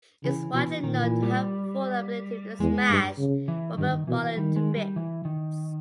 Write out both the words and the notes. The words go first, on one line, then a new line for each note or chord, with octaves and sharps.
Is widely known to have full ability to smash Robert Barlow to bits.
C#3 E3
B2 E3
A#2 D#3
E3
G3
E2 G#3
G2
C#3
E3
G2 D#3
B2 E3
D#3 G3
G#3
G3
E3
D#3